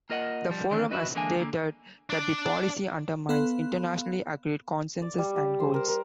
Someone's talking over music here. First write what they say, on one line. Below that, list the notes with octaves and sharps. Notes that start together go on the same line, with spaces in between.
The forum has stated that the policy "undermines internationally agreed consensus and goals".
A#3 F4 A#4 D#5 F5 F#5
F3 G3
D#3 E3 A3 C4 D4
E4 F#4 B4 D#5
D3 E3 G#3 A#3 D4 G#5
D3 A#3
D4 D5
B3 A4 F5 B5 C6 F#6
D5
G3
G4
C5
A#4
A#4